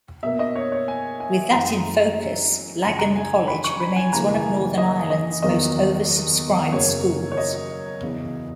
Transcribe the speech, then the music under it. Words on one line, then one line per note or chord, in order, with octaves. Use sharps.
With that in focus, Lagan College remains one of Northern Ireland's most oversubscribed schools.
B2 A#3 E5
D#5
C#5
C#5
G#5
G#5
F#2 E3 G#3 A#5
F#2 C#3 G#3 A#5
A#5
G#5
B5
C#6
B5
G#5
D#2 C#3 E3 A#3 A#5
G#5
D#5
D#5
E2 D#3 F#3 A#3 D#5
F#2 C#3 F#3 A#3 C#5
C#5
D#5
E2 C#3 E3